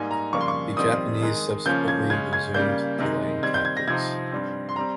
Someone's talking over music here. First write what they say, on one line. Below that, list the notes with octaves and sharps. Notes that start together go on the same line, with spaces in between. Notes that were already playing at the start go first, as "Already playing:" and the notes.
The Japanese subsequently resumed delaying tactics.
Already playing: G#2 G3 A#3 D#4 G#5
A#5
F2 C#3 G3 A#3 C#6
C6
C#6
F2 D#3 G3 C4 D#6
D#3 G#3 D#4
C#3 F3 A#3 C#4 G6
G#6
C#3 G#3 C#4 G#6
G#6
C#3 G3 A#3 G6
C3 D#3 G#3 D#4
D#3 G3 C4 G#6
G6
G#6
A#6
C3 F3 C4 D#4 G#6
G2 G3 C4
C6
G3 C4 A#5